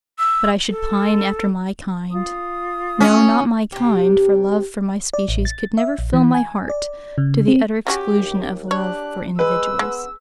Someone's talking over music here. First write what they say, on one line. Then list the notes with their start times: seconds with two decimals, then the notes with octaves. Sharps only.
But I should pine after my kind; no, not my kind, for love for my species could never fill my heart to the utter exclusion of love for individuals.
0.19 E6
0.70 A4
2.12 F4 D#6
3.00 C#4
3.72 C3 G4
5.13 D5
5.29 A1
5.45 A6
5.78 E5
5.99 A#1
6.13 E3
6.34 G#5
6.69 D5
7.18 C#3
7.48 C4
7.87 C#3 C#4 F#4 G4
8.18 D#2
8.71 D4 G4 C#5 F#6
9.39 G#3 B4 E6
9.79 G#3 B3